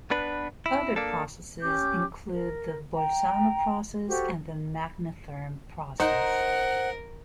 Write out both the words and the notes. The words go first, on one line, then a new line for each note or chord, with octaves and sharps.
Other processes include the Bolzano process and the magnetherm process.
B3 D4 B4
E4
A#3 D4 A4
C#4 G4 D6 G6
A#4
G5 A#5
F#4 G4 A4 C5
D#4 A#4 C5 D#5 F#5